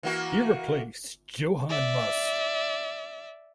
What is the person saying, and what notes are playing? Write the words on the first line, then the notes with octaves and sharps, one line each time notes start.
He replaced Juhan Must.
E3 A#3 F#4
D5 E5